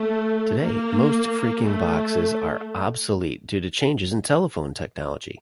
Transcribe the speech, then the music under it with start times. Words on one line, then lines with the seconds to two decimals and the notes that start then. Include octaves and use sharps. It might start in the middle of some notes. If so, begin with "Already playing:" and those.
Today, most phreaking boxes are obsolete due to changes in telephone technology.
Already playing: A3
0.60 A#3
1.64 A3